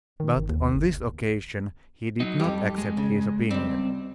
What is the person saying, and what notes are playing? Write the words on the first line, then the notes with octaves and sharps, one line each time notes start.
But, on this occasion he did not accept his opinion.
D#3
G1
D#2
F#1
F#3 D#4
F2 G3 G4
G#3
C#3
C#2 G3 C4